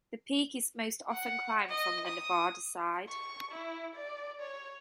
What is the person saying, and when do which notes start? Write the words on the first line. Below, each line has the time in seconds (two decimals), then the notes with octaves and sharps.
This peak is most often climbed from the Nevada side.
1.11 F#5
1.69 D#5
2.06 D#6
3.08 C#6
3.51 E4
3.96 D5
4.41 C#5